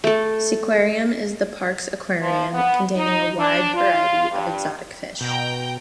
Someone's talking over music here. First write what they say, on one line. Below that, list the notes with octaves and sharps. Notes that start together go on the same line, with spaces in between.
SeaQuarium is the park's aquarium, containing a wide variety of exotic fish.
A3 A4
F3
B3
D#4
D4
F4
G2
B2 G5 A#5 G6